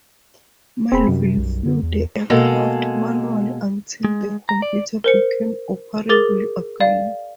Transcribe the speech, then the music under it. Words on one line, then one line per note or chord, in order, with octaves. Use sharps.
Melvill flew the aircraft manually until the computer became operable again.
E1 C4 G#4 B5
F#2 C3 G3
B1
D3
E2
B2 G#3 A#3 G#4 A4
G#3
A#5
D5
A#4 C5 C#7
G#4 A#4 D6 A6 G7
D5 F5